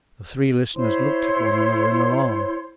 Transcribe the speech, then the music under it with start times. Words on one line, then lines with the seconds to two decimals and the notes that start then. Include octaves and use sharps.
The three listeners looked at one another in alarm.
0.75 E4 C5 C#5 C6